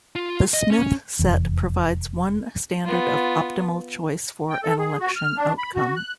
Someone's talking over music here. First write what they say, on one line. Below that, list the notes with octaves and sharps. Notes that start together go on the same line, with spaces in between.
The Smith set provides one standard of optimal choice for an election outcome.
F4
D#5
C#4
F1 E2
B3 F4
G5
A4
G#4
F#4
F6
D4
B5
F#4
F#6